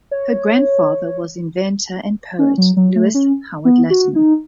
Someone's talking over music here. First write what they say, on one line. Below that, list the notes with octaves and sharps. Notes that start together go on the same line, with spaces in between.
Her grandfather was inventor and poet Lewis Howard Latimer.
C#5
C#4
F#3
F#3
A3
C#4
B3
F#4
D#4